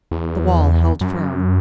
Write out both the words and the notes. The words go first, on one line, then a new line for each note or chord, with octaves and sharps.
The wall held firm.
E2
F#2